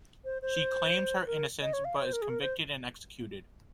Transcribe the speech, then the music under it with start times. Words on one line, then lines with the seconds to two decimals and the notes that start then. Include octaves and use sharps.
She claims her innocence, but is convicted and executed.
0.25 C5
0.42 C5
1.21 C5
1.27 A#4
1.62 D#5
1.73 C#5
1.85 F5
1.96 C#5
2.05 C5
2.13 A#4
2.22 G#4
2.29 A#4
2.42 C5